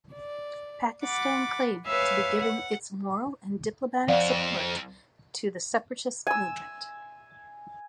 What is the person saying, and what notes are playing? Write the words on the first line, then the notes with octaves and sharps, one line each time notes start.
Pakistan claimed to be giving its "moral and diplomatic" support to the separatist movement.
D5
F#5 B5 D6 A6
B4 C#5 E5 F5 G#5
F#5
F2 C4 D5 F5 F#5
G#5 E6